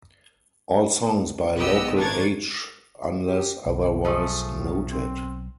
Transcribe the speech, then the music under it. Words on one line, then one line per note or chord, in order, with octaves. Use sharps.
All songs by Local H unless otherwise noted.
B1 B3 G4 D#5 E6
G#1 D4 A#4 C#6 G#6 A6
G4
B1 D3
F3 A3 G#4
A2
C4